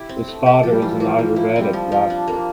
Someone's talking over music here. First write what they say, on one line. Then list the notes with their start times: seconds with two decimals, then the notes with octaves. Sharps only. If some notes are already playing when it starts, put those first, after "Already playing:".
His father is an Ayurvedic doctor.
Already playing: E4 G4
0.09 C4
0.28 A3
0.46 G4
0.63 F3 A4
0.72 G3
0.82 E3 F4
0.91 F3
1.00 E3 A#3
1.18 F3 A#3
1.36 F3 E4
1.49 F3
1.56 C4
1.61 G3
1.73 F3
1.92 F3
2.10 D4
2.28 A#3